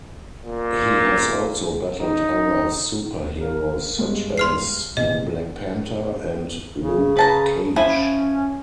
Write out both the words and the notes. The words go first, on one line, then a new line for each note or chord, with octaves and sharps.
He has also battled other super-heroes such as Black Panther and Luke Cage.
A#2
D#4
A#4 F5
G2 G#3
C6 F6 C7
A#1 C3 E3 D#5
C#3
B4 A5 A#5
F3 C#4 E4 G#5